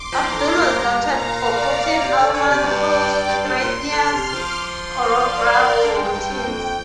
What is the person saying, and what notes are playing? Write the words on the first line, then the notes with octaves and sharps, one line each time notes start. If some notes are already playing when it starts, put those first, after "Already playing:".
Abdul was noted for putting Ullman through strenuous choreographed routines.
Already playing: C6 D6
F3 A#5
D3
A#2
G2 A#5
A#2 F5
D5
C3
D3
D3
C3
G2 G5
D6
G2 C6
G2
A#2
D3 F6
C3
D6
F3
C6
F5
D5
A#4
D3 G5
G2
G2
G2
F2